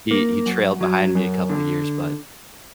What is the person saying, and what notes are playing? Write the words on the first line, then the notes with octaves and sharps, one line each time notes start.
He he trailed behind me a couple years, but,
A#3
F#2
F#3
F#2
D3